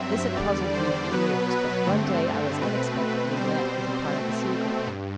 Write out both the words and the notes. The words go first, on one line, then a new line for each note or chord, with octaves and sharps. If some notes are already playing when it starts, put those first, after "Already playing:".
This had puzzled me for years, but one day I was unexpectedly let into part of the secret.
Already playing: G2 F#3 C4 E5
E2 D3 G3 D5
C5
B2 F#3 B3 B4
G2 D3 A3 C4
B2 A3 C4 B4
B2 G3 C4 C5
B2 A3 C4
G2